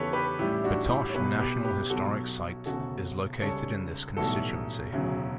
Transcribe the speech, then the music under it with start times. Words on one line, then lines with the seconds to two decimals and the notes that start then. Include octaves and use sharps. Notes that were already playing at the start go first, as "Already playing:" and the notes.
Batoche National Historic Site is located in this constituency.
Already playing: E2 C#3 E3 G4 A4 B4 C#5
0.13 G4 B4
0.39 A1 A2 G3 E4 G4
0.64 D4 F#4
0.90 E4 G4
1.10 C#5
1.14 B1 B2 F#3 G4 B4
1.39 G4 B4
1.65 G4 B4
1.90 B1 B2 F#3 F#4 A4
2.66 E1 D2 C#3 F#4 A4
3.41 C#2 C#3 G3 A4 C#5
4.17 B1 A2 E3 G3 F#4 A4
4.93 E1 D2 C#3 F#3